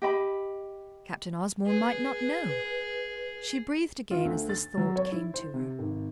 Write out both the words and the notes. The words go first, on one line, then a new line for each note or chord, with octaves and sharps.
Captain Osborn might not know. She breathed again as this thought came to her.
G4 D#5 B5
G#4 B4
F4
D2
A6
F#3
C#5
E4
C5
C3
G#1